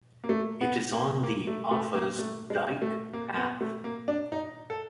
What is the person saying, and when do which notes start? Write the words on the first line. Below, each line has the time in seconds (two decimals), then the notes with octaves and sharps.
It is on the Offa's Dyke Path.
0.24 A#3
0.29 A3
0.61 B3
0.93 A#3
1.23 A#3
1.47 A3
1.71 A3
1.95 A#3
2.19 A3
2.50 G#3
2.82 A3
3.13 A#3
3.37 B3
3.61 A3
3.84 A#3
4.08 D4
4.32 D#4
4.70 A4